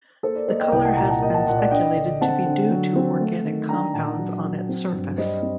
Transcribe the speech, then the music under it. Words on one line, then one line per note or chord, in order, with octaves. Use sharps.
The color has been speculated to be due to organic compounds on its surface.
A#3 A4 C5
A#4 D5
A#3 C5 D#5
D#5 G5
C2 D#5 G5
F#5 A5
A#2 G5 A#5
F#5 A5
A#3 D#5 G5
F#5 A5
A#2 F#5 A5
D5 F#5
D4 D#5 G5
D3
C4 F#5 A5
D3
F#3
C4
A3
D#3
D4 G5 A#5
A#2 F#5 A5
F#3
F#3
C4
G2
G3 C5 D#5
C4